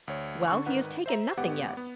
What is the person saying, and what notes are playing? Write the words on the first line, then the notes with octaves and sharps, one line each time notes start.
"Well, he has taken nothing yet."
D2 C#5
D3 C#6
G#1 D#3 B4 F#5
C5 E5 A#5
G#1 B3 G4 F#5
B3